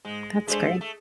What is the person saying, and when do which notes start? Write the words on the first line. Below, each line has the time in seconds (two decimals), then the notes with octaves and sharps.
That's great.
0.05 G#2 G#3
0.47 G#3 A3 D4 G#4 C5
0.81 A3